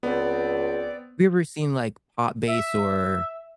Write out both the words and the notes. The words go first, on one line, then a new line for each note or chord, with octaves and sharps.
have you ever seen, like, Pop Bass or
C#2 B3 C4 D5
E5